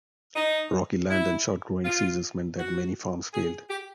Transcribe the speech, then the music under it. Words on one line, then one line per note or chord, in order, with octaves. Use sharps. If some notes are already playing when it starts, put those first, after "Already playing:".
Rocky land and short growing seasons meant that many farms failed.
D#4
E4
F4
F#4
G#4
G4